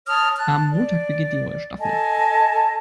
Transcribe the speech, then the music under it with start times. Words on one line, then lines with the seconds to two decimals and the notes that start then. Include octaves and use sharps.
Am Montag beginnt die neue Staffel.
0.08 C#5 A5 D#6 F6
0.37 A5 F#6
0.70 D5
1.80 A4 D#5 G#5 A5